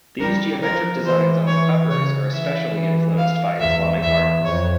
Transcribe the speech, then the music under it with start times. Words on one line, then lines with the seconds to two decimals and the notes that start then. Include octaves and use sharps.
The geometric designs on the covers are especially influenced by Islamic art.
0.20 G3 A#4
0.62 F3 A#4
1.05 E3 C5
1.47 E3 C#5
1.90 C#3 C#5
2.33 E3 E5
2.75 E3
3.18 F5
3.60 E2 E5
4.02 E2 E5
4.45 F2 C#5